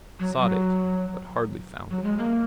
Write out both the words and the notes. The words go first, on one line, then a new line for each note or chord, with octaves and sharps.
Sought it, but hardly found it.
F#3
F#3
F#3
G#3
A#3